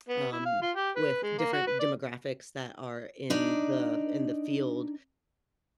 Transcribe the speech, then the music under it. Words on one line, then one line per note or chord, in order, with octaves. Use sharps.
um, with different demographics that are in the in the field
B3
E4
F5
F4
G4
B4
G#3
A#3
F#4
B4
D5
D4 D#4 D5